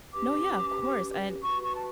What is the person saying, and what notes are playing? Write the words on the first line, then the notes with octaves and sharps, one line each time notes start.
No, yeah, of course and
C#4 G4 B4 D6
F#4 B4 C#6
C#6
A5